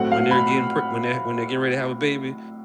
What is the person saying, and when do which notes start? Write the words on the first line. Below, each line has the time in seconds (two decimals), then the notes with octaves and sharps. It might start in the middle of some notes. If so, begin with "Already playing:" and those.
when they're getting pre when they're when they're getting ready to have a baby.
Already playing: A2 F#3 A3 C4 F#5
0.12 F5
0.31 B5